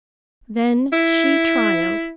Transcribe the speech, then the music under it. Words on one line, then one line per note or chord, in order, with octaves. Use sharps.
Then she triumphed.
E4